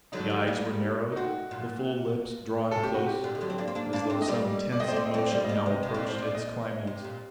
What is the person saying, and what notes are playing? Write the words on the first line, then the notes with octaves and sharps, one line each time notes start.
The eyes were narrowed, the full lips drawn close, as though some tense emotion now approached its climax.
D3 F#3 D#4
D#3 G3
G3 A#3
D#4
A3 C4 F#4
A#2
C3 A4
G4
F#4
G4
A#2 D3
D#3
D3 F#3
C4
A#3 D4
C4
A#3 D4
A#3 D4
A3 C4
D#5
G3 A#3 D5
D5
A3 C4 D#5
C5
A3 C4 D5
D#5
A3 C4 D5
C5
G3 A#3 D5
D#5
G3 A#3
D5
C3 D#5
C3
D#5
A#2 D5
A2 C5
A#2 D5
D#5
C3
A#2